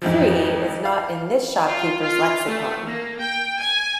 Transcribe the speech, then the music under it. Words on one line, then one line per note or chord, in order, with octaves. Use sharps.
Free, is not in this shop keepers lexicon.
F2 G#2 E3 F3
F5
F4
F4
A3
A#3
G5
G#5